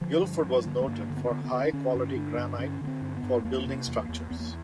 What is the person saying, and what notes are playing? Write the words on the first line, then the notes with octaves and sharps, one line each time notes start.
Guilford was noted for high quality Granite for building structures.
D3 F3
G2
G2
D3
A3
G2 A#3
D3
B3
C4
D3 B3
B3
D3
D4
D3 C#4
G2
D3 D4
G2
D3 C#4
D3 B3
C4
G2
B3
G2
E2 A#3
C3
E2
E2
E2 B3
A#3